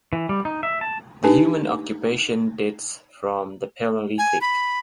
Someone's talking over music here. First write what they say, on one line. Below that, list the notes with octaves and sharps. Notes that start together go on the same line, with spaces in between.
The human occupation dates from the Paleolithic.
E3
G3
D#4
E5
A5
D4 D#4 G4 B4 G#5 A5
G#5
B5